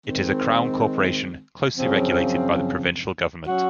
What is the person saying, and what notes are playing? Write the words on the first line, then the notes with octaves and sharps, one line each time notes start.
It is a Crown corporation closely regulated by the Provincial government.
D#3 G#3 C4
F#2 C#3 F3 C4
F#3 C#4 F#4